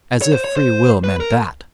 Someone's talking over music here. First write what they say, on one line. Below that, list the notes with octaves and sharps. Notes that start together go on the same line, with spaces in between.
As if free will meant that!
C#5
C5
C#5
C5
B4
A#4